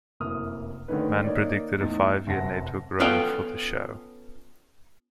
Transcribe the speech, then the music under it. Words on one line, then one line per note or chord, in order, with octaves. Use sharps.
Mann predicted a five-year network run for the show.
F1 F#2 A#3 E4 D#6 F6
D3 D#3 A3 C#4 D#4 B4
A#3 D#4 C#5 D5
E2 A2 D#4 A6
F1 F#2 F#5 A5 A#6
B3 C#4 F4 A4 G5